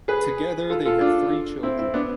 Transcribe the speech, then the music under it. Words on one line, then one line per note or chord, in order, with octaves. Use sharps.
Together they had three children.
G#4 B4
F4 A4
F4 A4
D4 F4
C4 E4
C4 E4
B3 D4